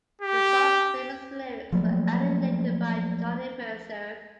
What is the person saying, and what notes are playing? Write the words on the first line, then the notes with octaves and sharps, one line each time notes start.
The song's famous lyrics were added later by Johnny Mercer.
G4
F3 F#3 A3 A#3